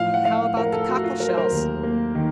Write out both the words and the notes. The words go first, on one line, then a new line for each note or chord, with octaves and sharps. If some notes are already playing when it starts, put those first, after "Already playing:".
"And how about the cockle-shells?"
Already playing: A2 F3 F5
F#5
A3 F5
F3 A#4
A4
A3 F#4
F4
F#3 A#4
C5
A#4
D#2
A#3
D#3